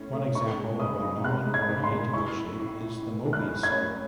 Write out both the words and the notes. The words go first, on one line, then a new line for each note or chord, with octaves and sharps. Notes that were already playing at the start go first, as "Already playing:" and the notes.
One example of a non-orientable shape is the Mobius strip.
Already playing: A2 A3 C#4
A3
D#4 C#6
G#3
C#3 D#6
D#4
G#3 F#6
G#3
G#6
C#3
C6
G#3
E4 C#6
A2
A2
A2
A2
G#3
F#6
A2
G#6
C#4